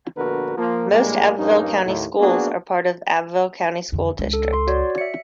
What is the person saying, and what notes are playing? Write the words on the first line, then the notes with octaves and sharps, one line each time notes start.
Most Abbeville County schools are part of the Abbeville County School District.
A#1 D3 B3 F#4 A#4 B4
F3 A#3
A#1 A2 G3 G#3 A#3
A#1 G2 A#3 C#4 D#4
D#2 A2
A#3 B3 D4 F#4 G#4
F2 D3
C#2 D4
A4
C6
F#4 C#5 D5
E5 C#7